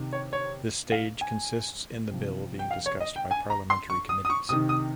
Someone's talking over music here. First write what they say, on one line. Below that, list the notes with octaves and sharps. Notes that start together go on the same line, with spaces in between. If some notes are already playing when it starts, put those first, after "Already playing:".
This stage consists in the bill being discussed by parliamentary committees.
Already playing: C3 D#3
C#5
C#5
F5
G#5
C3 F3
G5
F5
C#5
D#5
G5
G#5
A#5
C6
C#6
D#6
D#6
C#6
C3 D#3 D#6
D#6